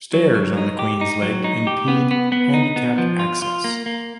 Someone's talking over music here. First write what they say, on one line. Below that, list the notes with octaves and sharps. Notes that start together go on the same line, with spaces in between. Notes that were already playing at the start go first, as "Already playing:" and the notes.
Stairs on the Queens leg impede handicapped access.
F#3
F#3
D#4
G4
D#4
F#3
D#4
G4
B3
B3
B3
D#4
B3
F3
F4
F4
A#3
A#3